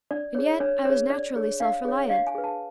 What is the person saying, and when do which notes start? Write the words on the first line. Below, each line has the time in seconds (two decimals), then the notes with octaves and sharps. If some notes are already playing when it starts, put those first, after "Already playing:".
And yet I was naturally self-reliant.
0.11 D4 D5
0.35 G#4 C#5
0.60 D4 C#5
0.85 G#4 C#5
1.10 D4 D5
1.36 G#4 C#5
1.60 D4 F5
1.85 G#4 C#5
2.10 D4 F5
2.27 G#5
2.35 G#4 B4
2.44 A5